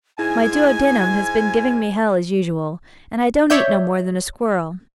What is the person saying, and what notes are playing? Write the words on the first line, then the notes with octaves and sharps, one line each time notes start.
'My duo-denum has been giving me hell as usual, and I don't eat no more than a squirrel.
G#2 E4 G#4 G#5 G#6
C#5 D5 E5 G6